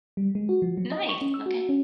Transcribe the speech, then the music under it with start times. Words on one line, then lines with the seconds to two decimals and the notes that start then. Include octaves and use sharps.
Nice, okay.
0.17 G3
0.35 G#3
0.49 F#4
0.62 F3
0.77 F#3
0.92 D#5
1.09 C#6
1.21 C#4
1.34 E6
1.46 F#4
1.69 C#4